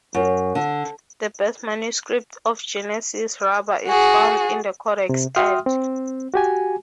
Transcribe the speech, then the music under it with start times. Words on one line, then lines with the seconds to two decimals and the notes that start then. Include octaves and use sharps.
The best manuscript of Genesis Rabba is found in the Codex Add.
0.14 F#2
0.55 D3
3.88 F#4 G#4
5.09 C3
5.36 F#4 E5 G5 C6 D#6 F6
5.66 C4
6.34 F#4 G4 G#5